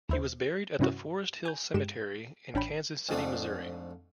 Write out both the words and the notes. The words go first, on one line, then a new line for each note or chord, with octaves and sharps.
He was buried at the Forest Hill Cemetery in Kansas City, Missouri.
D#2 E4 C5
G2 C3 E3 C#4 E4 F#4
G#5 G6
G2 G#3 G4 D7 E7
A1 C#4 D4 G5 B5
F2 G#2 F3 A3 D4